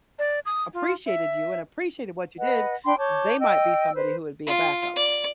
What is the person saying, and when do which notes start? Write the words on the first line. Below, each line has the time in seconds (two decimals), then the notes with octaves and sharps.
appreciated you and appreciated what you did, they might be somebody who would be a backup.
0.19 D5
0.45 D#6
0.73 F4
1.06 E5
2.39 B4 D#5 F#5
2.85 D4 G5 B5 C6
2.98 C#5 A5 D6 G6
3.40 D#5 G5 E6
3.94 B4 C5
4.47 F4
4.96 D5